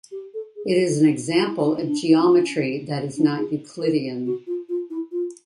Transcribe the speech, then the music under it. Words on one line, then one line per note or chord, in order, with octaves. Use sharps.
It is an example of a geometry that is not Euclidean.
G4
A4
G#4
A4
G#4
A4
E4
D#4
D4
C#4
D4
G#4
A#4
F#4
F4
F4
E4
F4